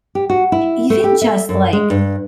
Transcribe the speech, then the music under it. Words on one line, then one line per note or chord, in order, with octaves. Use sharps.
even just like,
G4
F#4
E4
A3
G4
E5
F#2
G#3
G2